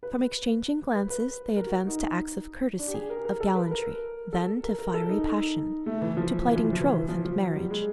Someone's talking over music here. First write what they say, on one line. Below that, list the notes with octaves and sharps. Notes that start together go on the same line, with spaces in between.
From exchanging glances, they advance to acts of courtesy, of gallantry, then to fiery passion, to plighting troth and marriage.
B4
B4
B4
A#4
F#4
D#4
D4
G4
G#4
A#4
A#4
A4
B4
A#4
A4
A#4
A#4
A4
D#4
A3
E3
F3
E3
F3
E3
F3
E3
E3
F3
F3
F#3
G3
G#3